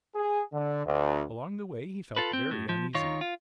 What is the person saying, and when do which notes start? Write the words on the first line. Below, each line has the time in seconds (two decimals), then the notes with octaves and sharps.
Along the way he felt very uneasy.
0.16 G#4
0.53 D3
0.86 D2
2.16 F4 A4 B4
2.33 C4
2.51 A2
2.69 F3
2.94 D#3 D#4 F4 C#5
3.21 F4